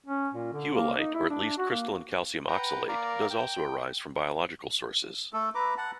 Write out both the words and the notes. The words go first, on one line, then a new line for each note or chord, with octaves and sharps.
Whewellite, or at least crystalline calcium oxalate, does also arise from biological sources.
C#4
A#2
D3
A#3
D#4
E4
D4
F#4
A#3
B4 F#5 G5 A#5
A#3 A#4 D5 F5 A#5
G5
A3 A4
B4 A#5 D6
F#5 A5